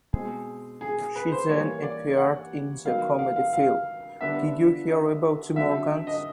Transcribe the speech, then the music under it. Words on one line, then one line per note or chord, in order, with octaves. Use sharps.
She then appeared in the comedy film Did You Hear About the Morgans?
B2 G#3 C4 G#4
G#4
B4
C5
E3 G3 A#3 C#5
D5
F#5
D#3 F#3 B3 D#4 F5
F5
F5
F5
D3 G3 B3 D4 E5
D#5
D3 F#3 A3 C4 E5
D#5